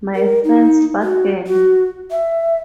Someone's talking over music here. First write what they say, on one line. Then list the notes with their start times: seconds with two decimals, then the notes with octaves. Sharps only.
My friend's buggin'.
0.15 A#4
0.44 D#4
1.03 F#4
1.47 F#4
2.11 E5